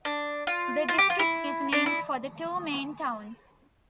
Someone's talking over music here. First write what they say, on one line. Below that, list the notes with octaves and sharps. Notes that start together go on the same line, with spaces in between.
The district is named for the two main towns.
D4
F4
F4
G4
F4
E4
D4
E4